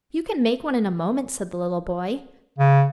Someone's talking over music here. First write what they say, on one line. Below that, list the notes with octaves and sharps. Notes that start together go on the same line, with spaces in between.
"You can make one in a moment," said the little boy.
C#3